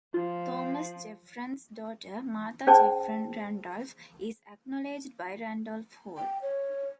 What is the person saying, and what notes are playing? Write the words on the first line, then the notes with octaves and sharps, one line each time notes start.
Thomas Jefferson's daughter, Martha Jefferson Randolph, is acknowledged by Randolph Hall.
F3 F4
C#4 G#4 C5 D5 G5 A5
G5
C#5